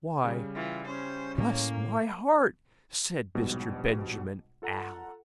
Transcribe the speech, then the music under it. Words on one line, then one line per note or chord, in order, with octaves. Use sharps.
'Why, bless my heart!' said Mr. Benjamin Allen.
C#3 G3
E3 F4
C#4 C5
A2 A#3
A#1 G#2 B2 G3
F4 A4 F#5 A#5